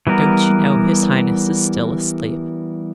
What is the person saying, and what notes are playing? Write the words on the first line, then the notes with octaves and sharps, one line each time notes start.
Don't you know his highness is still asleep?'
E3 G3 B3 A#4